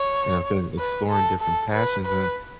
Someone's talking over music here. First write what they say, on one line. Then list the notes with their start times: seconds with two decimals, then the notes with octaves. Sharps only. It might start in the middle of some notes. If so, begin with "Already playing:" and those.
and I've been exploring different passions, and
Already playing: C#5
0.79 B4
1.10 A4
1.41 A4
1.74 B4
2.05 B4